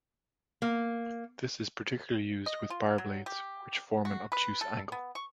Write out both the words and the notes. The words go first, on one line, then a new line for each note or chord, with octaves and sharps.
This is particularly used with bar blades, which form an obtuse angle.
A#3
D#5
F4
F#3
G4
F#4
B4
A4
B3
C#6